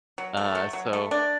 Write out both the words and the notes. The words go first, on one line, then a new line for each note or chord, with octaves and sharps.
Uh, so
F#3
A3
F#3
F#3
A3
D4